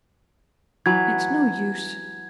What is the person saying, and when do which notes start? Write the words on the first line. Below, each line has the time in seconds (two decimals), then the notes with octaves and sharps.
It's no use.
0.86 E3 F#3 B4 G#6